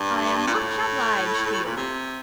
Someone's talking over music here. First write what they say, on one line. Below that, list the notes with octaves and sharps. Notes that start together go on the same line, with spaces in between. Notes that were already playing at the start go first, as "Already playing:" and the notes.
"I am much obliged to you."
Already playing: G2
A#2
A2
A#2
C3